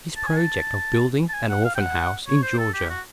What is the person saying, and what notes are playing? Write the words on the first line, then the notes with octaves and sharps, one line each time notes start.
His Project of building an Orphan House in Georgia.
A5
G#5
A5
A5
G#5
F#5
F5
G5
F#5
C#5
C5
A4
G4
F#4